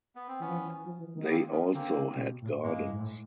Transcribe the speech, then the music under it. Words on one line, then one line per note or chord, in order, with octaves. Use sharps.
They also had gardens.
B3
C4
E3 B3 C#4
F3
E3
F3
E3
D#3
B3
A#3 C4
B3 C#4
D3 A#3 C4
C#3
C3
B2
A2
G#2 G#3 A#3
G2
G#2
A2